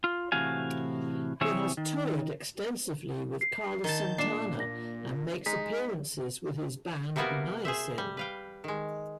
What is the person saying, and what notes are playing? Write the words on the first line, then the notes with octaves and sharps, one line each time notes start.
He has toured extensively with Carlos Santana and makes appearances with his band Niacin.
F4
A2 C3 E3 F#4 F5 G#5
C3 E3 C4 G#4 C#5 E5
D#3
C7
D#3 A5 G6
A#2 D4 C7 E7
A#6
G#3 D#4 B6
C3 G3 A#3 B3 F#4 A#4
G#4 C5 E5
G3
B4 F5 G5
D#3 G#3